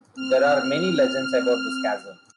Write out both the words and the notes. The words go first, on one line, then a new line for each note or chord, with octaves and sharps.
There are many legends about this castle.
C4 F6